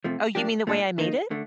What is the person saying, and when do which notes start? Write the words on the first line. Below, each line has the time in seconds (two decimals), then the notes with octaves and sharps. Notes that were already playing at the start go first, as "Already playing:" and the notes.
Oh, you mean the way I made it?
0.04 C3 F3 A3
0.35 F3 A#3 D4 G4
0.67 A#2 A3 D4 A4
0.98 D#3 A#3 D#4
1.31 D3 A3